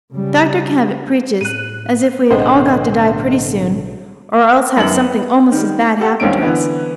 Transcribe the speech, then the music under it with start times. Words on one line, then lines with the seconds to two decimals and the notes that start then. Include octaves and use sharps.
Dr Cabot preaches as if we had all got to die pretty soon, or else have something almost as bad happen to us.
0.13 C#3 G3
1.41 A2 F#6 D#7
2.31 B1 A2 D3 G#3 B3 C4 C5
4.77 F#2 D#3 B3 F#7
5.00 B3
5.52 D#3 G3
6.00 G4 A4 F#5
6.20 A#1 D#2 C4 C#4 D7
6.42 D3 E3 B3